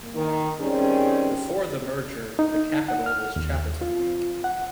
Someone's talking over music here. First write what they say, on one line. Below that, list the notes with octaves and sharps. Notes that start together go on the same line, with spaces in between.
Before the merger, the capital was Chapelton.
D#3
D#3 G3 C4 C#4 G#4
D#4
F#5
F6
D#2
F4
F#5